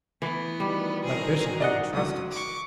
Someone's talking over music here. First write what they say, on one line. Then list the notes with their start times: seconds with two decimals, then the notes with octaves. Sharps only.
But Bishop didn't trust us.
0.22 E3 A3 B3
0.60 D#3 G3 D#4 F#4
1.03 C4 G#4 A#4
1.60 D5 D#5 F#5
1.93 C#2 F#3 D#6
2.31 C#6 D6